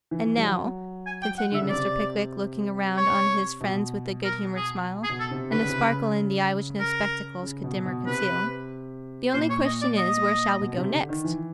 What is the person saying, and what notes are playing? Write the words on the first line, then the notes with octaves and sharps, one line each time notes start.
And now,' continued Mr. Pickwick, looking round on his friends with a good-humoured smile, and a sparkle in the eye which no spectacles could dim or conceal, 'the only question is, Where shall we go next?'
E3
G3
F#3
G#5
G5
F#5
D3 E5
C#3
C3 D5
C#5
B2
A#4
G#4
G#4
B2
A4
C3
D3 B4
C#3
C3
C#3
A#4
C#3
B2
B2
C3 B4
A#2 C5
C#5
D#5
D5
D#5
B2
C3
D3
D#3
E3